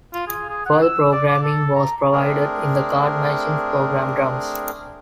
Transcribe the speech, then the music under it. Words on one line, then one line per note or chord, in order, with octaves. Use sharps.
Further programming was provided in the card machines program drums.
F4
G#4
G#4
F#5
E6
D5
D6
A4
A#5
A3 C4 D4 G#4 A#4